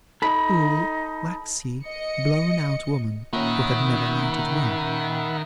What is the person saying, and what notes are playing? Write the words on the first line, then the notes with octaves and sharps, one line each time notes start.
A cool, waxy, blown-out woman, who had never lighted well.
D#4 A4 B5
D#5 C#7
A#2 D#3 C#4 E5 F#5 B5